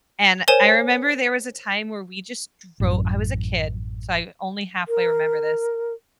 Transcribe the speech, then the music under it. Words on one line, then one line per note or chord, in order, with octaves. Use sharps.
And I remember there was a time where we just dro I was a kid, so I only halfway remember this,
A#4 C5 C#5 G#5 E7
A1 F#2
A#4